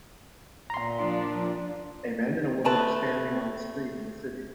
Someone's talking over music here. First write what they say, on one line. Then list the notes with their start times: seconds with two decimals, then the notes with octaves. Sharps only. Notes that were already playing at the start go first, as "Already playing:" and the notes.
A man and a woman are standing on the street in the city.
0.70 A#2 A#5 C6
0.99 F3 D4
2.64 A3 C4 B4 A5